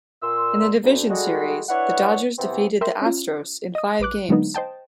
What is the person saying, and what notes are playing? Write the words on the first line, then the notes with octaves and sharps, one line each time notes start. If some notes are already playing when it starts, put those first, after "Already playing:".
In the Division Series, the Dodgers defeated the Astros in five games.
A#2 C6 E6
D2
D3 G3 G#3 F#4
D4 E4 B4 C#5 F#5
C3 E3 B3 C4
A#4 E5 G5 C6
C#4 F4
D#5 D#6
A#1 B4 D6 F#6
D3 F#3 G#3 A#3 B3 D#4
C5 D#5 G5 A5